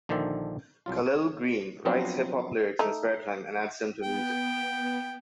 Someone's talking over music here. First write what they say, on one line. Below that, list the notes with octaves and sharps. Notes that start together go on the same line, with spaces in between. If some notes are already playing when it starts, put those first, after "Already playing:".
Khalil Greene writes hip-hop lyrics in his spare time and adds them to music.
A#1 D3 D#3 C5 D5 E5
C2 F#3 F4
C#5
F3 F#3 B3 C4 D4
A3 D#4
B3 G5